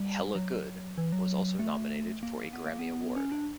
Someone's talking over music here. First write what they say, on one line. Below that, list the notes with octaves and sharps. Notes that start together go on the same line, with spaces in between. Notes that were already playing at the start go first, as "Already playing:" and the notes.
"Hella Good" was also nominated for a Grammy award.
Already playing: G3
F#3
E3
F#3
A3
A#3
B3
A#3
B3
C#4
D4